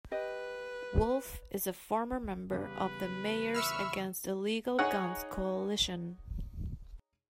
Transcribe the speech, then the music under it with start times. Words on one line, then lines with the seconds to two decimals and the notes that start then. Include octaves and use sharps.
Wolf is a former member of the Mayors Against Illegal Guns Coalition.
0.12 G4 B4 D#5
2.52 E2 C#3 G3 B4
3.54 E5 B5 C#6 E6 F6
4.79 D#4 G#4 C#5 F#5